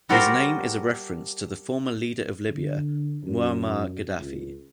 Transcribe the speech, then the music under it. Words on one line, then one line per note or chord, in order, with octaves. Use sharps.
His name is a reference to the former leader of Libya, Muammar Gaddafi.
G3 F#4 G4 A4 A#4 C5
D3
F#2
C#2